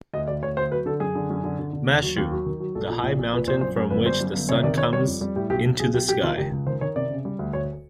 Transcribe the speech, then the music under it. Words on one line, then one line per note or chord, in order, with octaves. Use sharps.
Mashu, the high mountain from which the sun comes into the sky.
D2 D#5
D2 D5
D2 C#5
D2 C5
F#3 B4
D3 A4
F#2 G#4
D3
F#2
D3
D3
D3
D#2
F#3
D#2
F#3
D#3
F#3
A#1 A4
A#2
A#1
A#1
A#2 B4
A#1 C5
F#2 C5
F#2 A#4
G1 B4
G3 C5
F#2
G1
C3 C#5
D#3 D5
D#3 C#5
G3 C#5
F2
G3
A2 G4
B1 G4
B1
B1 G#4
B1 G4
B1 G4
D#3 F4
C#2 G4
C#2
D#3 C5
D#3 C#5
C3 D5
C#3
G3
D2
D2 C#5